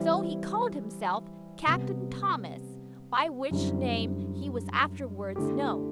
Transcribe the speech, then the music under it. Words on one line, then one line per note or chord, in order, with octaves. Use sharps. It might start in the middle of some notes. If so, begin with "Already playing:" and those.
So he called himself Captain Thomas, by which name he was afterwards known.
Already playing: E3 G3 C4 E4
C3 G3 B3
F#2 D3 G3 C4 E4
D3 A3 E4 G4